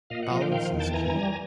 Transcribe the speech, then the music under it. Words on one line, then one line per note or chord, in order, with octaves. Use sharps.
Balance is key.
A#2 D#5 F5
F#5
F3 D#5 F5
F5 G5
D#3 F5 G5
E2
G5 A5
E3 G#5 A#5
G3